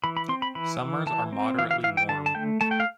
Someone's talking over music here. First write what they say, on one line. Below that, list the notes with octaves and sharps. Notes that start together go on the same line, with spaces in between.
Summers are moderately warm.
E3 B5
B5
C4 C6
B5
E3 B5
E3
E3 A5
C4
E3 F5
F5
E3 F5
G5
D3 A5
A5
A3 G5
A3 A5
G5
F5